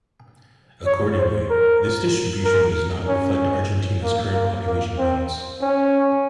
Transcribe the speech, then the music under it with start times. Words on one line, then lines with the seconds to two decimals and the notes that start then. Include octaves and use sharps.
Accordingly, this distribution does not reflect Argentina's current population balance.
0.86 C#5
1.18 C5
1.50 A#4
2.45 A#4
3.08 C#4
4.04 A#3
4.35 A#3
4.67 A#3
4.98 C4
5.62 C#4